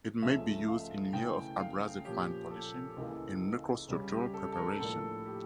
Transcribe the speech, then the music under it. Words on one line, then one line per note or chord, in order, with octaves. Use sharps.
It may be used in lieu of abrasive fine polishing in microstructural preparation.
C#2 C#3 F3 A3 C#4 E5
F5
C#3 E3 A3 C#4 G5
F5
A#2 F3 C#4 G4
A4
C#2 C#3 E3 A#3 A4
C#2 C#3 G3 C#4
G4
A4
A4
A#4
A2 F3 A#3 D4 A4
G4